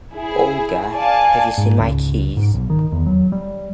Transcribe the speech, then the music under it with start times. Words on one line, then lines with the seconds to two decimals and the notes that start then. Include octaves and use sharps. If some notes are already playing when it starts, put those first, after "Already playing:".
Olga, have you seen my keys?
0.14 E4 G#4
0.96 D5 F5 G#5 A5
1.58 G#2
1.79 C#2
2.37 G#2
2.54 B1
2.70 D#3
2.92 E2
3.06 F#3
3.32 G3